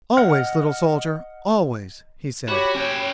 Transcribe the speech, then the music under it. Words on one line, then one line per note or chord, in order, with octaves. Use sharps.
"Always, little soldier, always," he said.
D#5 F#5 F6
F#4 G4 C#5 B5
C#4 C#5 G5